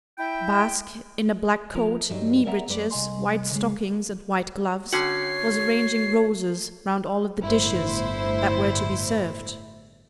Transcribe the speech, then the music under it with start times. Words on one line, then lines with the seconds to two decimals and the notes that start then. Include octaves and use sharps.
Basque, in a black coat, knee-breeches, white stockings and white gloves, was arranging roses round all of the dishes that were to be served.
0.18 E4 G5
1.75 F3 A#4
2.10 G2 F#3 G3 D#4
2.46 A#4 D5 E5 F#5 A#5
2.68 F#2 G#3 B4 D5
2.91 C2 D#5 G#5 C6
3.52 C#3 G#3
4.93 D3 C#4 F#4 C#5 F#5 C7
7.40 G1 A2 E4 C5